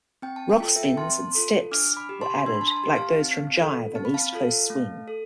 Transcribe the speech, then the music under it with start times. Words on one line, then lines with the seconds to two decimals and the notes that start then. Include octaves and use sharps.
"Rock spins" and "steps" were added, like those from Jive and East Coast Swing.
0.22 C4 G5
0.36 A5
0.50 G5
0.60 F4 A4 A5
0.76 E5 G5
0.97 C4 A5 C6
1.35 F4 A4
1.71 D4 D6 F6
1.96 B5 D6
2.09 G4
2.21 A5 C6
2.46 D4 C6
2.54 B5
2.61 A5 C6
2.71 A5 C6
2.84 G4
2.96 F5 A5
3.21 C4
3.58 F4 A4
3.95 C4 A5
4.05 B5
4.14 F5 A5
4.33 F4 A4
4.70 A3
5.08 A4